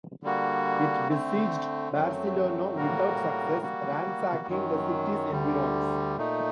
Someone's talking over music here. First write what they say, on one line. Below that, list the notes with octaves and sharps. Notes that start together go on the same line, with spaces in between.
It besieged Barcelona without success, ransacking the city's environs.
D3 G3 A#3 F#4
D3 A3 C4
F#2 F#3 A3 C4
A2 G3 A#3 F#4 A#4
G3 A#3 F#4
F#2 D#3 F#3
D2 D3 G3
A#2 A3 D#4